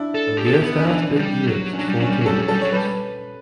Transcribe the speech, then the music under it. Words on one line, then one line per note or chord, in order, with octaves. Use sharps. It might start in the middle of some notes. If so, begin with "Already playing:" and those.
A guesthouse exists for tourists.
Already playing: D4 E4
A4
G4
A4
G4
B3
C#4
E3 D4
G3
F#3
C#4
F#3 D4
G3
F#3 C#4
G3
F#3 A4
G3
F#3
G3 A4
F#3 C#5
G3 B4